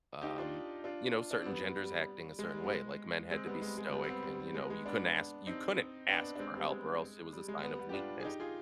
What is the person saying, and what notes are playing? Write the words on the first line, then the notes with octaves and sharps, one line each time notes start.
um, you know, certain genders acting a certain way. Like, men had to be stoic and, you know, you couldn't ask you couldn't ask for help or else it was a sign of weakness.
D#4 G4
D4 F4
D4 F4
D4
C4
G3 B3
G3
G#3
G3
B3
G#3
G#3 C4
G3 B3
G#3
G#3
G3 B3
C4
G3 B3
G3
G3
G#3
B3
G#3
B3 D4
C4 D#4
B3 D4
D4
G#3 C4
G3 B3
G#3
G3
G#3
G3 B3
G3 B3
G4
D4 F4
G#4
D#4 G4
F4 G#4